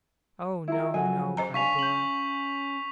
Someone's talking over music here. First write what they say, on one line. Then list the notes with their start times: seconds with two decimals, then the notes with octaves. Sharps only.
'Oh, no, no!' cried Dora.
0.68 F3 E4 G#4 A#4
0.94 F#3 F#4 A4 G#5
1.37 C#3 C5 D#5 A#5
1.54 D4 F5 G#5 C#6 B6 F7
1.79 C#4 G6 F#7